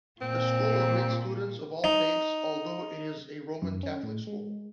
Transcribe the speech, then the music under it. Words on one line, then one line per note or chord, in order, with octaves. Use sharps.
The school admits students of all faiths although it is a Roman Catholic school.
A#2 C4
D#4
F#2
C#4
A2
G#3